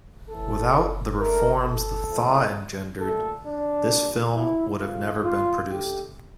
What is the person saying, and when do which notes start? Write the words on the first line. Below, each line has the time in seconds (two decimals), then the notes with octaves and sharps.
Without the reforms the "Thaw" engendered, this film would have never been produced.
0.29 A2 E3 A3 A4
1.19 D3 A3 A#4
1.64 A4
2.09 A2 F3 A3
2.99 A#2 A3 A4
3.44 D4
3.90 A#2 G3
4.34 E4
4.79 C3 F3 A3 F4
5.24 F4
5.69 D3 A3 G4